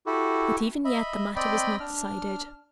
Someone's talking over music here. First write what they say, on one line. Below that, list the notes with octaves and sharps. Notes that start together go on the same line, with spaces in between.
But even yet the matter was not decided.
E4 F#4 G4 A4
D#5 E5 B5
C4 D5 D#5 G5 B5
D4 F6